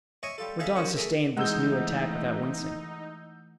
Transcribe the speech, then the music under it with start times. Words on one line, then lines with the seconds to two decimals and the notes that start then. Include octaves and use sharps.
Mordaunt sustained this new attack without wincing.
0.23 C#5 D#5 E5 G#5 C#6
0.38 G3 F4 A4
0.59 C#4 D#4 G#4 A4 E5 F5
0.76 F#2 F3 C#4 F#4 C#5
0.95 A3 G#4 A#4 E5
1.37 E3 G#3 A3 D#4 F#5 E6 G6